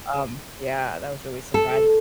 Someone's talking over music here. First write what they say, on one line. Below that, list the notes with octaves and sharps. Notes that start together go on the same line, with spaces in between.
um, yeah, that was really surprising.
A4